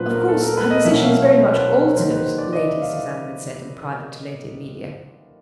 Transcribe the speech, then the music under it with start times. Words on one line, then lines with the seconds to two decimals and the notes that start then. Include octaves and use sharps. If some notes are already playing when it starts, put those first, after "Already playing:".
"Of course her position is very much altered," Lady Susanna had said in private to Lady Amelia.
Already playing: A#2 F#3 B3 D4 F4 B4 C5
0.11 A#4
0.28 A4
0.43 A#4
0.57 B4
0.70 D#5
0.85 B2 F#3 A#3 C#4 E4 E5
1.04 F5
1.22 C#5
1.40 C5
1.54 B4
1.68 A#4
1.83 A#4
1.96 D#3 F#3 A#3 D#4 C5
2.11 B4
2.25 C5
2.38 D5
2.53 D#5
2.67 E5
2.81 F5